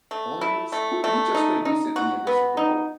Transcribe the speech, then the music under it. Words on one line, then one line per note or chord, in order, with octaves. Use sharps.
Oilers? Who who just played recently in the Super Bowl?
A3
E4
A3
A3
D#4
D#4
F#4
B3
D#4